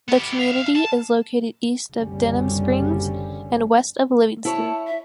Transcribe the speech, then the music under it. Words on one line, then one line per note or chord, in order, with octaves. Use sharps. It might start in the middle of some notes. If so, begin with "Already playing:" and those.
The community is located east of Denham Springs and west of Livingston.
B3 G4
E5 F5
A5
F#1 C2 D3 G3 C#4
E4 C#5 A5
E5